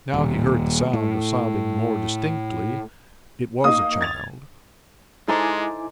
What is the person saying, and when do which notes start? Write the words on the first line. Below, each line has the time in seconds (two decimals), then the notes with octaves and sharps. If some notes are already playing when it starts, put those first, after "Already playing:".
Now he heard the sound of sobbing more distinctly; it was a child.
0.14 D#1
0.93 A2
3.64 A#3 D#4 D#6
4.01 G#6 A6 F7
5.28 G#3 D#4 E4 A4 C5 G#5 D6